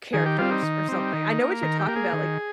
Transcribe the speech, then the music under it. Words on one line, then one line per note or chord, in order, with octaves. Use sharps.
characters or something, I know what you're talking about, like,
D#3 G#4
G4
G3 C4 F4
D#4
D#3
G3 C4
D#3
A#3
D#3 A#4
G4
A#3
G#4
D#3